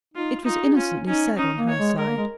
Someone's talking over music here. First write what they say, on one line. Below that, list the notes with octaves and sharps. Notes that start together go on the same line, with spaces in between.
It was innocently said, on her side.
D#4 F4
D#4 F4
G#4
C#4 F4
C#4 D#4
C#4 D#4
A#3
C#5
G#3
G#3 A#4
A#3
G#3